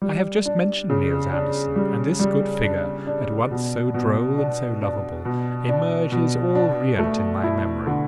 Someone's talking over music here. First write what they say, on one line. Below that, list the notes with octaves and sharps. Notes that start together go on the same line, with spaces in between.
I have just mentioned Niels Andersen, and this good figure, at once so droll and so lovable, emerges all riant in my memory.
G3
D4
C#3
D4
G3
G3
D4
D4
B2
B2
D4
D4
B2
D4
B2
D4
A3
E4
D3